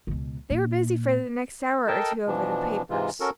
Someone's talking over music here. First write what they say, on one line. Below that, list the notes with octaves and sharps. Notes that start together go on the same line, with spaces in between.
They were busy for the next hour or two over the papers.
C#2 B2
A#2
A4 A#4 D#5 G5 A5
B2 E3 F3 D4
G#2 C3 E3 G#3 F4
C#4 F#4 A4 A#4